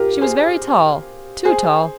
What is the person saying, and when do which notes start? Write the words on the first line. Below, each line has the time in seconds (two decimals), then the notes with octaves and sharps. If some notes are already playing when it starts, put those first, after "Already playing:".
She was very tall--too tall.
Already playing: F4 G4 A#4
0.21 G#4 C5
1.45 G#4 C5